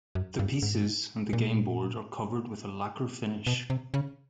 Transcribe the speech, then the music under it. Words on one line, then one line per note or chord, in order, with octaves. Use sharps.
The pieces and the game board are covered with a lacquer finish.
F#2
G2
G#2
A#2
B2
C3
C#3